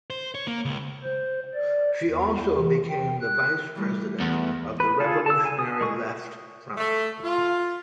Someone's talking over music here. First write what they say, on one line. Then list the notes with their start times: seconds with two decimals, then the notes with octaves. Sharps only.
She also became the vice-president of the Revolutionary Left Front.
0.10 C5
0.35 C#5
0.48 A#3
0.65 C#2
1.03 C5
1.54 D5
2.07 E2
2.55 E3
2.89 G5
3.21 F#6
3.75 E3 G3 A3
4.20 E2
4.80 B4
5.00 F4 G#4 A4
5.26 A5 E6
5.45 G#5
5.59 D#6
5.81 G#3 C#6 D#6
6.77 A3
7.24 F4